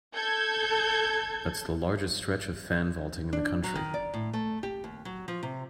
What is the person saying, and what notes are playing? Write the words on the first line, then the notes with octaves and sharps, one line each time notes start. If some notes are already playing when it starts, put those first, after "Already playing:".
That's the largest stretch of fan vaulting in the country.
A4 G6 G#6
D4
F#3
D#3
D5
A2
A3
G4
D#2
F#3
F3
C3